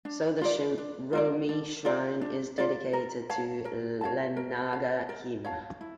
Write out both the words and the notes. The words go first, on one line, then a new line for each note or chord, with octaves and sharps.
So the Shiromi shrine is dedicated to Ihanaga-Hime.
D4
F4 A#4 D5
D4
F4 A#4 D5
D4
F4 A#4 D5
D4
F4 A#4 D5
A#4
C#5 F5 A5
A#4
C#5 F5 A5
A#4
C#5 F5 A5
A#4
C#5 F5 A5
E4